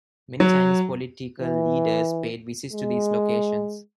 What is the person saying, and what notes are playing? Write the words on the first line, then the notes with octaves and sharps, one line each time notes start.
Many Chinese political leaders paid visits to these locations.
F#3
E3
G#3